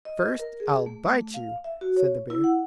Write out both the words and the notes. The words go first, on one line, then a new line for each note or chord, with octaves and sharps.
"First, I'll bite you," said the bear.
D#5
A#4
G#4
A3
A3
F5
E5
F#4
C#5
E4
F#5